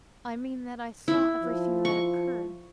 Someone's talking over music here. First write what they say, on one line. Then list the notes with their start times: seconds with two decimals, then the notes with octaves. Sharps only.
"I mean that I saw everything that occurred."
1.08 E4
1.42 F3
1.85 C#6